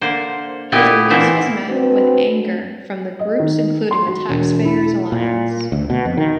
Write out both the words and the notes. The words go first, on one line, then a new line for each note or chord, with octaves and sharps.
His release was met with anger from groups including the TaxPayers' Alliance.
D3 A#3 C5
A#2 D3 E4 G4 D#5 G#5
A2 D3 E3 A#3 C5 E5
C4 D4 F#4 B4
D#5
D#3
C6
F#4
E1
E4
A#2
D2
B2
F2
D#3